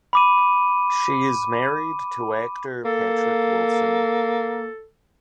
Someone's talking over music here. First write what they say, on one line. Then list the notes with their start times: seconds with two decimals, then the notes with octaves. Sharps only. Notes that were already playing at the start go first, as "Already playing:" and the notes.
She is married to actor Patrick Wilson.
0.13 B5 D6 D#7
2.85 A#3 A4